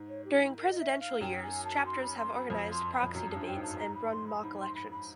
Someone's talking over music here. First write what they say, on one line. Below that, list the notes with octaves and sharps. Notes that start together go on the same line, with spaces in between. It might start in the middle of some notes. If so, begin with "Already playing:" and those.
During presidential years, chapters have organized proxy debates and run mock elections.
Already playing: G#2
C#5
G4
E4
A#4
D#5
E5
F5
F#2 G5
G#5
A5
C6
B5
C6
B5
F2 B5
C6
B5
F2
F#2 A#5
A5
G2
G5
G#2
A5
A#5
B5
C6
B5
G#2 B5
C6
B5
B5